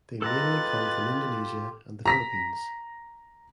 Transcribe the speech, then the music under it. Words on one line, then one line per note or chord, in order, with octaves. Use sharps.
They mainly come from Indonesia and the Philippines.
F4 G4 A4 B4 D#5 A#5 F#6 A6
A#5 A#6 B6